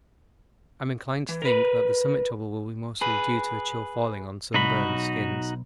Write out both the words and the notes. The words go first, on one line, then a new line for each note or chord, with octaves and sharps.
I'm inclined to think that the summit trouble will be mostly due to the chill falling on sunburned skins.
E3
A#4 B4
G#4 B4
C2 D#4 F#4 B5
B1